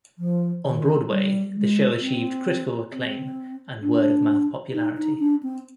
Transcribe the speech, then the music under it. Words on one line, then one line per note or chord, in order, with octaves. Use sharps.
On Broadway, the show achieved critical acclaim and word-of-mouth popularity.
F3
D#3
G3
G#3
C4
C4
D4
D#4
D#4
D4
C4